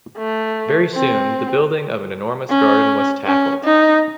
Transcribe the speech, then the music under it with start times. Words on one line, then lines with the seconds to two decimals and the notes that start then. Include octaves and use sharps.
Very soon, the building of an enormous garden was tackled.
0.18 A3
0.95 C4
2.49 C#4
3.26 C#4
3.65 D#4